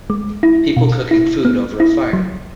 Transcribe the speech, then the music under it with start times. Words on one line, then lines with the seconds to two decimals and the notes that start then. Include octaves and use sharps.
People cooking food over a fire.
0.10 G#3
0.43 E4
0.77 B2
1.11 E4
1.45 B3
1.80 E4
2.13 F#3